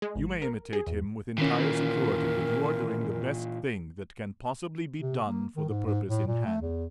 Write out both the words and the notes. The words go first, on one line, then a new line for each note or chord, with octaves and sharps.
You may imitate him with entire security that you are doing the best thing that can possibly be done for the purpose in hand.
G#3
G#1
A#4
G#4
E2
A#2 D#3 E3 C#4 A#4
C3
A#3
D#3
G#2
G#2
A2
A#2
A3
E2